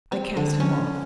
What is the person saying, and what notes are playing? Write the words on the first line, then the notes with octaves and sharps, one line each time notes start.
I cast him off.
C4
D3
C#4